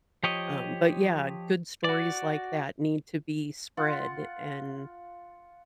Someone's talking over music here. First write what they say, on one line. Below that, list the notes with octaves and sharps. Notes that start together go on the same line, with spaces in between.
um but, yeah, good stories like that need to be spread and,
F3 G4 C#5 D#5
F#4 D5
F4 F#5 C6